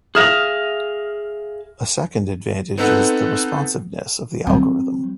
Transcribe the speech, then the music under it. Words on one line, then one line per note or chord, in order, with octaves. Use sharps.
A second advantage is the responsiveness of the algorithm.
G#4 E5 F5 D#6 F6 A#6
B3 C4 D#4 A4 B4 F#5
F#3 C4